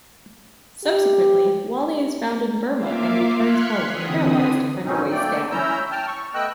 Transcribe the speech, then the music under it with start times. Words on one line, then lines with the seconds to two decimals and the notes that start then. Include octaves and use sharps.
Subsequently, Wally is found in Burma and returns home, paralyzed from the waist down.
0.84 G4
2.77 A#3 F4 E5 F5 D6
3.32 C6 F6 F#6 G#6 B6 C#7
3.87 D3 E3 C4 D#6
4.84 G#2 B2 F#3 C4 C#4 D#4
5.12 A3 A#3 D5 G5
5.51 C#4 E4 A#5 E6 G6
5.91 G5 A5 F6
6.08 C#6
6.34 A3 B3 D#5 G5 E6 F#6